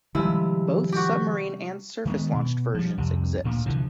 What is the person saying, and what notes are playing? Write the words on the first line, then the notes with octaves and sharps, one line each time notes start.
Both submarine- and surface-launched versions exist.
C3 D#3 F3 G3 G#3 E4
F#4 G4
D#3 G#3 A3 B3
B2
F3 G3
C2 F2 C3
D2 A#2
C2 D3 E3 F3